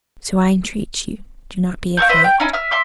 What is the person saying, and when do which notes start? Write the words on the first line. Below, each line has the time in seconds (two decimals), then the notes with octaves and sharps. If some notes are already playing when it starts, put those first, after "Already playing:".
So I entreat you do not be afraid.
1.97 A#3 A4 C#6 G6
2.09 B4 C5 D#5 E5
2.24 G5
2.40 C#4 D#4 E4
2.53 E5 D#6 F6
2.71 E5 C6 D6